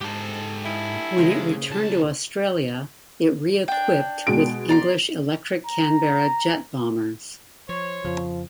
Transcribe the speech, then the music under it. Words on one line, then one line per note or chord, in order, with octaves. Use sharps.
When it returned to Australia it re-equipped with English Electric Canberra jet bombers.
G#2 G4 A4
E4 D#5 F5
C#3 G#3 C5
B1 A5
D4 G5
B2 G#3 D7
D5 A#5 C6
A#5
F3 C5 C#5
F2 C#3 F3